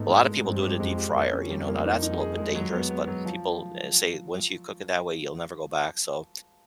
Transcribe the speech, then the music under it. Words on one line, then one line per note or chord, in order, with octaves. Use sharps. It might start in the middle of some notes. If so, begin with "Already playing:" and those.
A lot of people do it in a deep fryer, you know? Now that's a little bit dangerous, but people, eh, say once you cook it that way, you'll never go back, so,
Already playing: G#2 A3 B3 D#4
G#3
G#3
G2 C4
G4
F2 G#3
G4
F2 A#3
C#4
G3
A#3
D#4
D#4
G#4
G#3
F#3
B3
B3
F#3
F3